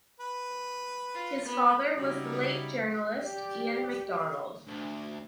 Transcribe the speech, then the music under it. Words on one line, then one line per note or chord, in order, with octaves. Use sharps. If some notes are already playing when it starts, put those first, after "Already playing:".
His father was the late journalist Iain Macdonald.
B4
F4
B3
C#3 F#3 G3 D#4 E4
G4 D5
D2